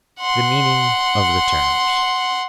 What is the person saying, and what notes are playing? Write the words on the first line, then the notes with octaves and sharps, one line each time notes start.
The Meaning of the Terms.
F#5 C6